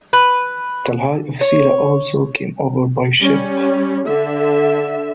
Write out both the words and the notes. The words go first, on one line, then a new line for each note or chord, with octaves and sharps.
Talhae of Sillla also came over by ship.
B4
C#5
G3 C#4
D3 E5